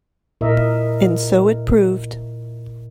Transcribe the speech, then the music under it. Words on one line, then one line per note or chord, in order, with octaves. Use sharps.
And so it proved.
A#2 E4 A#4 D#5 E5